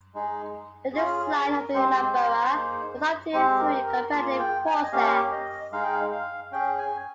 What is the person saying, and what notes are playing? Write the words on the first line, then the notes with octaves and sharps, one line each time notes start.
The design of the Imambara was obtained through a competitive process.
G#3 D#4 G#4
C#4 F4 G#4
G#4
A#4
G#3 C4 G4 C5
A#3 D#4 G#4
G#3 C4 G4 C5
A#4
A#4
A#3 F4 G#4
G5
G#5
D#5
A#3 C#4 G4 F5
D#5
G#3 D#4 G#4 F5
G5
F5
F5
C#4 G#4 G5
G#5